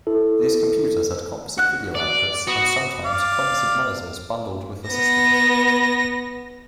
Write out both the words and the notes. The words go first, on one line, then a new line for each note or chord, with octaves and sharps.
These computers had composite video outputs, and sometimes composite monitors bundled with the systems.
E4 A4
F#4 F#6
D5
B3 F#4
D5 F5
B3 A#6